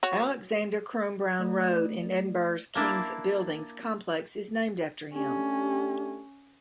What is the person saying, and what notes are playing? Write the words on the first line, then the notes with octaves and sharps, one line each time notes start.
Alexander Crum Brown Road in Edinburgh's King's Buildings complex is named after him.
F#4 C#5
A3 D5
A#3 D4 E4
A3 C#4 D4 G4